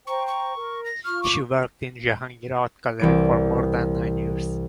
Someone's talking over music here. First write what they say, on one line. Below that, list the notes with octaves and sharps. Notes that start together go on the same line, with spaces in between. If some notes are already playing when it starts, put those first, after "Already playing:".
She worked in Jahangir Art Gallery for more than nine years.
C5 G5 A#5 C#6
C#6
A#4
A#6
F4 C#6 F6
D6
C2 E3 D7